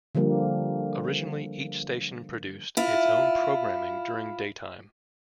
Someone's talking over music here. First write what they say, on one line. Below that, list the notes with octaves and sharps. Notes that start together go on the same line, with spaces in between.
Originally each station produced its own programming during daytime.
D3 F3 G3 A#3
E4 F4